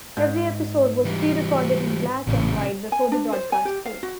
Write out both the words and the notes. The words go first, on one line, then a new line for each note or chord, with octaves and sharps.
Every episode was pre-recorded in black and white before the broadcast date.
G#2
E3 G3
A1 A#2 C#3
G#5
D4
C5
G#5
G4
F5
F#4